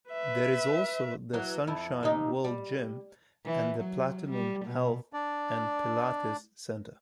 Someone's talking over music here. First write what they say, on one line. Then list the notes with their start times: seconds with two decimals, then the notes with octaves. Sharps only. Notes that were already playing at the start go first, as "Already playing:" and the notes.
There is also the Sunshine World Gym and the Platinum Health and Pilates centre.
0.11 B4 E5
1.33 E3 F#3
1.67 F2 E4
2.03 D#2 C3 D#4
2.44 G3
3.45 E3
3.79 F#3
4.30 G3
4.65 B2
5.13 D4 D5